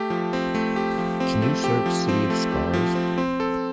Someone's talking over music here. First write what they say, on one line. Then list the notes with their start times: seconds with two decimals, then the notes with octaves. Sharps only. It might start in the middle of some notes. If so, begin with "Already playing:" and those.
Can you search City of Scars?
Already playing: A3 G4
0.10 F3
0.33 C4
0.55 A3
0.76 G4
0.98 F3
1.20 C4
1.42 A3
1.64 G4
1.86 F3
2.08 C4
2.30 A3
2.52 G4
2.73 F3
2.95 C4
3.18 C4
3.40 A4